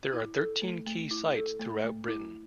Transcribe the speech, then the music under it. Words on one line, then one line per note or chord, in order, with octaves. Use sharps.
There are thirteen key sites throughout Britain.
E4
A4
A3
A3
E4
A4
A3
A3
E4